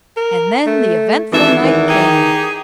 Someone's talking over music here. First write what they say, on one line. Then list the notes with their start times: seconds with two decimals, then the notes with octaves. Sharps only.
And then the eventful night came.
0.17 A#4
0.66 A3
1.33 G#1 G2 E3 A4 E5
1.62 E2 D#3
1.87 D#4 G4 G#4